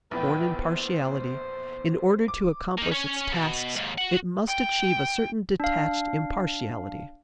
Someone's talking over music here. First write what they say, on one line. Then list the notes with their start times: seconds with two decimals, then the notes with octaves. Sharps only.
Born in partiality, in order to accomplish its tasks it must achieve a certain detached impartiality.
0.11 A#1 E2 A2 B4 G5
0.57 C5
2.28 D6
2.78 A#3 D#4
2.91 C#4 C#5
3.32 B2
3.76 D#2 G#2
3.98 F#4 F#5
4.47 G5
5.60 D4 F5